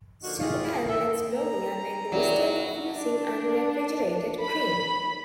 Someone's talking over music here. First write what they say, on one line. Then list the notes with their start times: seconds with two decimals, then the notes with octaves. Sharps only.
Sue Ann lets Gloria make the mistake of using unrefrigerated cream.
0.21 D3 F3 A#3 D#4 F#4
0.38 F4 G4 G#4 F5
0.88 A4 D#5 E5
1.33 A#5
2.12 F#3 E4 G4 G#4 D5
2.89 D4
4.41 B5